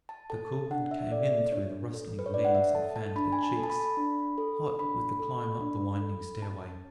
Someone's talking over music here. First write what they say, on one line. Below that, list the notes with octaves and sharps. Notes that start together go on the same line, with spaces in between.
The cool wind came in through the rustling leaves and fanned their cheeks, hot with the climb up the winding stair-way.
A5
A4 A5
D4 F#5
E5
E5
A4 D5
D4 C#5
A4
B4
C#5
D4 D5
F#5
E5
A4 A5
A5
D4 B5
G#5
A5
A4
A5
B5
D4
A4
D4 B5
A4
D4
A4
C#4 A5